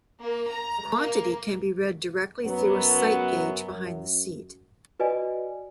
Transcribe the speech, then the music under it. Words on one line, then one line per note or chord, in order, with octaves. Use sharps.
The quantity can be read directly through a sight gauge behind the seat.
A#3
A#5
A#3
F#2 F#3 B3
F#4 B4 D5 D#5 G#5